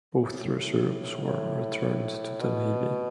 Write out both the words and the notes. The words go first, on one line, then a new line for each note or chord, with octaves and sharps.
Both reserves were returned to the Navy.
A2
B2
A2
B2